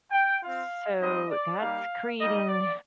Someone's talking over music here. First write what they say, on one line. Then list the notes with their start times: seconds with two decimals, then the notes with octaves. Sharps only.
So, that's creating
0.11 G5
0.41 C4 F4 F5
1.01 G3 C4 D#4 D#5
1.30 D5
1.60 G3 A#3 D#4 G4 F5
2.19 G3 A#3 D#4 G4 D#5
2.48 D5